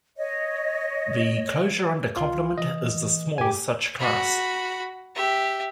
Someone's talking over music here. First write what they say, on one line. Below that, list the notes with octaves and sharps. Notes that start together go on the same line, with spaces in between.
The closure under complement is the smallest such class.
C#5 D#5
C#2 F4
E3 D#5
E3
G2 G4 G#5
F#4 B5
G4 E5